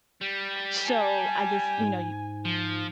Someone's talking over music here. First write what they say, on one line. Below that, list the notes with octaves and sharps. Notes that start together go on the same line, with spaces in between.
So I just, you know, y
G3
G#5 A5
G#2
F3